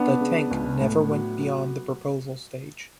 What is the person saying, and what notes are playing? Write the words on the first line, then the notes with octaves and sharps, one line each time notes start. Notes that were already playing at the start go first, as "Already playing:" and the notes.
The tank never went beyond the proposal stage.
Already playing: B3 D4
C#3
C#2
A2
F#3
F#3